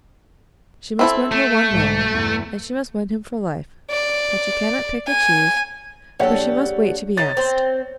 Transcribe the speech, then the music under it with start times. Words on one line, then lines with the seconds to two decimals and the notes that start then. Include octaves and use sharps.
She must win her one man, and she must win him for life; but she cannot pick or choose, for she must wait to be asked.
0.99 C4 E4 A4
1.32 A3
1.69 B1 G#2
2.07 E2 G2
3.91 D5
5.07 G#5
6.20 A#1 G3 A4 C#5 F#5
7.17 D#4 C#5 A6
7.37 C4 C5